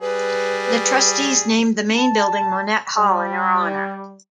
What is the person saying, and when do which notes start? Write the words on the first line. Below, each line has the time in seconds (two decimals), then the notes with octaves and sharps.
The trustees named the main building Monnett Hall in her honor.
0.01 G3 G#4 B4
1.95 A5
2.98 G3